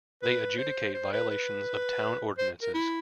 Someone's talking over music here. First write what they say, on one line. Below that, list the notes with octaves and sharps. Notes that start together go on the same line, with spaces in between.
They adjudicate violations of town ordinances.
B4
C5
C5
B4
B4
C5
A#4
E4